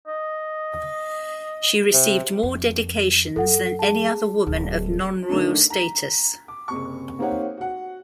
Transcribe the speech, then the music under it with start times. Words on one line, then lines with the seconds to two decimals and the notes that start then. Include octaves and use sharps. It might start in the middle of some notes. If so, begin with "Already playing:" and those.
She received more dedications than any other woman of non-royal status.
0.07 D#5
1.93 C3
2.43 F2
3.36 F#2 F#3 A4 F#5
3.79 G#4 A5
4.47 D1
5.29 D3 D#3 A3 D4
5.70 A#5 B6
6.48 D6
6.68 F#1 C3 C#6
7.19 A#3 C4 D#4 G4 C#5 F#5
7.57 F#4 F#5